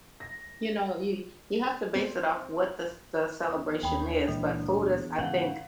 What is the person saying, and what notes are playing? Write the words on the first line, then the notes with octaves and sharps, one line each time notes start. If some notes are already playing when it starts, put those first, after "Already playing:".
you know, you you have to base it off what the s the celebration is, but, food is, I think,
A#6
C4
E2 D#6
D#2 G5 B5
C#2 A#2 E3 G#3 D4
E2
G#2 C#3 E3 F5 F#5